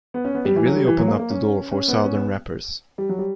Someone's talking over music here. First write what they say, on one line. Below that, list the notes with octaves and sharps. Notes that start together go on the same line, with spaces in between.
It really opened up the door for Southern rappers.
B3
C#4
B3
G3
E3
F#3
G3
E3
F#3
A#3
A#3
C#4
C#4
B3
C#4
B3
G3
F#3
G3